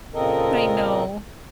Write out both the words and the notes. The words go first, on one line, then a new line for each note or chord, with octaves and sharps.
I know.
A#2 C#3 C4 A4 A#4 D#5